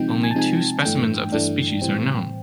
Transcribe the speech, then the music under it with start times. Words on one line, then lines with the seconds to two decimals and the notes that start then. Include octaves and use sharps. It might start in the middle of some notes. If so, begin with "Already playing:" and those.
Only two specimens of this species are known.
Already playing: C3 F3 G#3 C4 D#4 G5
0.11 G5
0.24 G#5
0.31 A5
0.35 C3 F3 G#3 C4 D#4 G#5
0.84 G2 E3 A3 D4 G5
1.32 G2 E3 A3 D4
1.82 A2 E3 G3 C4